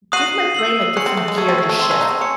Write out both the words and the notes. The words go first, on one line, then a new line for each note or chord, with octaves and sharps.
give my brain a different gear to shift.
F#4 D#6 F#6 C7 D#7 F#7
E6 C7 F#7
C#4 F#6 C#7 F#7
C4
A3
G#3
A3 A5 C#6 E6 G#6
C4
A3
A3
C4 A5 C6 E6
C#4
D#4
C4
C#4 C#7